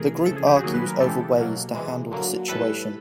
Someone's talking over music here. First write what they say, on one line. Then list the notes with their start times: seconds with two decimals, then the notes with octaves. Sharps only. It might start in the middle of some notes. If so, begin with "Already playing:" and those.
The group argues over ways to handle the situation.
Already playing: C3 E3 A3 G#4 A#4
0.26 C#3 F3 A3 A4
0.37 G#4
0.47 G4
0.56 F#4 G#4
0.63 D#3 F#3 A#3
0.74 B4
0.87 A#4
1.00 C#3 E3 G#3 G4 A4
1.38 B2 F#3 A#3
1.75 C3 E3 G#3
2.11 D3 F#3 A#3
2.48 A2 E3 G3 A4 B4